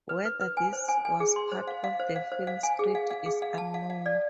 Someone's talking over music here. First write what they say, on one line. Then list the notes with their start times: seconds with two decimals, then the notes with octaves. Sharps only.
Whether this was part of the film's script is unknown.
0.09 B4
0.25 B4
0.41 B4
0.57 G#5
0.73 C5
0.89 G#5
1.05 G#5
1.20 G#4
1.36 C6
1.52 C5
1.67 F5
1.84 F5
2.00 C5
2.16 F5
2.32 C5
2.47 F5
2.63 G#5
2.79 G#4
2.95 F5
3.10 F5
3.26 G#4
3.42 F5
3.58 A5
3.74 F5
3.90 F5
4.06 D5